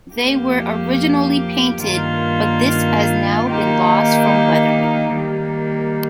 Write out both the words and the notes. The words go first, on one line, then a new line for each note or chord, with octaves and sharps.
They were originally painted but this has now been lost from weathering.
F2 F3 A#3 G4
G2 D#3 A#3 F4
D#3 A#3 D#4 G4
D#3 G3 A#3